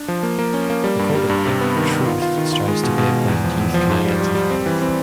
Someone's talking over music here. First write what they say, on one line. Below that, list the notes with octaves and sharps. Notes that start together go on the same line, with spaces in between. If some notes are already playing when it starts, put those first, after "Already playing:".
Accordingly, "truth" strives to be a brand youth can identify with.
Already playing: D4
F3
A#3
A#3
C#4
A#3
G3
G2
G3
G2
C3
B3
D#3
B3
F4
F4
D#3
F4
G#3
B2
B2
G#3
E2
F3
E2
F3
G#2
G3
G3
G3
C4
E3
C4